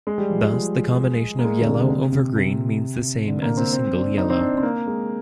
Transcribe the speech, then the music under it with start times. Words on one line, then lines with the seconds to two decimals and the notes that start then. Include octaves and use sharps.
Thus the combination yellow over green means the same as a single yellow.
0.07 G#3
0.18 G3
0.30 F3
0.42 G3
0.53 G#3
1.39 A#3
1.45 G#3
1.60 D3
1.67 C3
1.81 D3
1.90 C3
2.12 C3
2.36 C3
3.27 D3
3.42 A#3
3.57 C4
3.73 C4
3.95 D4
4.18 D#4
4.30 C4
4.41 D4
4.58 C4
4.63 A#3
4.87 G#3